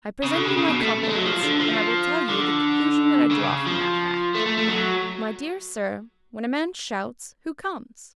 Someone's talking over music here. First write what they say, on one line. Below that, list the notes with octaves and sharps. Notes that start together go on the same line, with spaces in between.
I present you my compliments, and I will tell you the conclusion that I draw from that fact: My dear sir, when a man shouts, who comes?
C#3
D3
C#3
C#3
B2
A3
A3
G#3
F#3
F3
D3
F3
D3
C#3
F3
A3
A3
A3
F#3